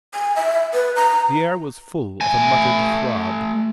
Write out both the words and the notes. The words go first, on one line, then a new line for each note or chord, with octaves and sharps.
The air was full of a muttered throb.
G#5
E5
B4
A#5
A3 G#5